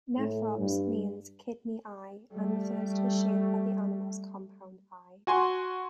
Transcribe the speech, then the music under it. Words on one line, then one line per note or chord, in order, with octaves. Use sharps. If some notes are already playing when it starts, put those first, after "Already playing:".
"Nephrops" means "kidney eye" and refers to the shape of the animal's compound eye.
A2
G2
G3 A3
F#4 G#5 C6